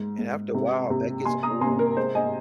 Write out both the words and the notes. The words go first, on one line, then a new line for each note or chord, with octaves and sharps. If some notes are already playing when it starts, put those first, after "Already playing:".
And after a while, that gets old,
Already playing: G#2
G#2
C3
C3
C3 G#5 C6
A#5 D#6
C3 G#5 C6
A#4
G#3 C5
D#5 G#5